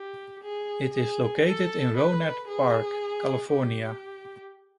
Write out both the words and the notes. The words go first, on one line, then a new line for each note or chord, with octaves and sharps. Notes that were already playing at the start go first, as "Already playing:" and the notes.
It is located in Rohnert Park, California.
Already playing: G4
G#4
G#4
A4
B4
G#4
G4